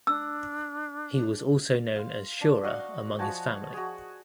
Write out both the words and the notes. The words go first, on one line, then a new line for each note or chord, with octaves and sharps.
He was also known as Shura among his family.
D4 E6
F5 C6
D4
F#4 D#5 F5 F#5
F3 F#4 G#5 A5
F#4 G#4